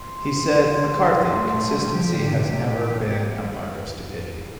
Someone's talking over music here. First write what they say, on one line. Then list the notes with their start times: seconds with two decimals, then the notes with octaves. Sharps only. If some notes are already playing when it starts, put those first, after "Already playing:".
He said, 'McCarthy, consistency has never been a mark of stupidity.
Already playing: C5
1.17 F3
1.28 G3
1.36 A3
1.56 A3
1.75 G3
1.88 F4
1.94 F3 G4
2.12 D3
2.31 C3
2.51 C3
2.70 A2
3.08 C3